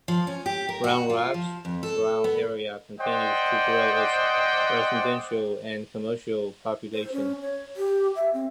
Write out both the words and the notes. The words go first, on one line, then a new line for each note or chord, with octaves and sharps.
Round Rock's surround area continues to grow its residential and commercial population.
F3
C#4
G4
A#4
F#4
F4
F3
F2
A4
B3
C5 D5 D#5 F#5 G5
C5
C#4
C#5
G4
E5
C4